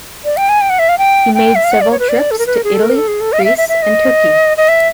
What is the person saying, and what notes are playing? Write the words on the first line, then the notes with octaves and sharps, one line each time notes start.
He made several trips to Italy, Greece and Turkey.
D5
G5
G#5
G5
F#5
E5
F5
G5
G5
E5
F5
F#5
D5
C#5
B4
D5
A4
A#4
B4
A#4
G#4
A4
A#4
A4
G#4
A4
D#5
F5
E5
E5
E5
D#5
D#5
E5